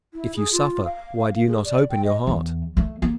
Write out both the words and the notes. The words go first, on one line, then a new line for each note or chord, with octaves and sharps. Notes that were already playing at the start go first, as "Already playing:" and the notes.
If you suffer, why do you not open your heart?
E4
G#4
F4
F5
G#4
D5
G5
D#5
E2
A3
A#3